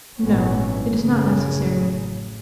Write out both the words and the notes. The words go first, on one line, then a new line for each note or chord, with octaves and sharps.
"No; it is not necessary."
G#1 A#2 E3 B3 C#4
A1 F#2 C#3